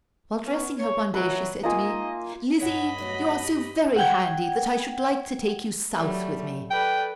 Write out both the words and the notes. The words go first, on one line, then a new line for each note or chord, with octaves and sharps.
While dressing her one day, she said to me: "Lizzie, you are so very handy that I should like to take you South with me."
B3 C#4
C#5
A#2 E3 F#3 B4
A#3 D#4 F4 D#5 G#5
G2 C#5 D#5 F#5 A5 B5
F#3 A3 B3
G4
F#5 G5 G#6
F#3 G3 A3
A4 B4 D5 G5